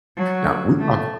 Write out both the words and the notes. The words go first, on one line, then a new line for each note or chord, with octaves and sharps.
Now we talk
F#3
A3